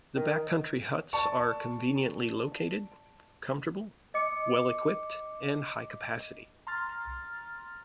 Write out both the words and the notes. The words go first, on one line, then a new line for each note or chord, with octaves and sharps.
The backcountry huts are conveniently located, comfortable, well-equipped, and high capacity.
D#3
D5 A5 C#6
D#5 D6 C#7
A#5 C6 F6 A6